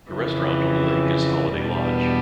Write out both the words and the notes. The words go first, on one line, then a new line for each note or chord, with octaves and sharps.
The restaurant on the lake is Holiday Lodge.
F2 C#3 E3
E2 B2 G3 B3 D4